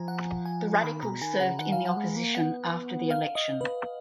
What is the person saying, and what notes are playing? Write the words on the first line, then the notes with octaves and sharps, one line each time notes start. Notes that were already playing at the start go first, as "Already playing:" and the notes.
The Radicals served in opposition after the election.
Already playing: F3 G#5 A#5
F#5
G#5
D#3 B5
B2 A#5
D#3 G#5
C#3 F#5
D#3 F#5
F5
F#3
F#5
G#3
A#3
B3 F#5
F5
D#5
B4